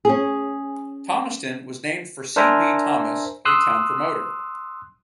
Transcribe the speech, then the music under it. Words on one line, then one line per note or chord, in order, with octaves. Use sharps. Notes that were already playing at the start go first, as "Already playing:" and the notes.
Thomaston was named for C. B. Thomas, a town promoter.
C#4 G#4
D4 A#4 C5 E5 G#5 A#5
C6 D#6 E6 F#6